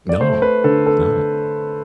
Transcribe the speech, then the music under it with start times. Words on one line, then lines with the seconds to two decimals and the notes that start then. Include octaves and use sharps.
No, it's not.
0.09 D5
0.21 A3 C5
0.42 B4
0.64 D3 A4
0.86 A4